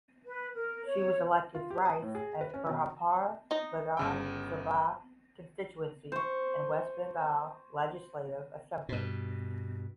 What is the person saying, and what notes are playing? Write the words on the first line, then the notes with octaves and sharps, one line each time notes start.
She was elected thrice as Berhampore Vidhan Sabha Constituency in West Bengal Legislative Assembly.
B4
A#4
C#5
F4
G4
D#6
A2
G#4
B4
C#4
B2
D#4 D#5
G1 C#3 G5
C5 C#6
G2 B2